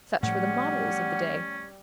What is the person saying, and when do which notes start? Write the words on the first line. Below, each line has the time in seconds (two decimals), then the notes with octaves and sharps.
Such were the models of the day.
0.23 A2 F3 G3 C#4 F#5